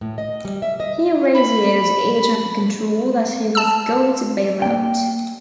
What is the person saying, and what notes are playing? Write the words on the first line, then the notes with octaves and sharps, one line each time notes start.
He radioed air traffic control that he was going to bail out.
A2
D#5
G3
E5
D#5
B5
A5 E6
A#3 G5